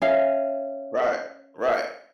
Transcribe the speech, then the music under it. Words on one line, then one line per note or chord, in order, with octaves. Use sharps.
right. Right.
C#4 E5 F5 G#5